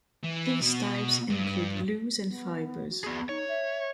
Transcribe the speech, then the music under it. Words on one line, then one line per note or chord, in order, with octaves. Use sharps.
These types include glues and fibers.
E3
B2
G2
B3
F#4
B3 G#4
D#4 C#5
E5